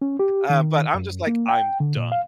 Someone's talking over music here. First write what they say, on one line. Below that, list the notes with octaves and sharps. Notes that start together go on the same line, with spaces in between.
Uh, but I'm just like, "I'm done,"
C#4
G4
D#3
F#2
A#3
G5
D3
A#2
F5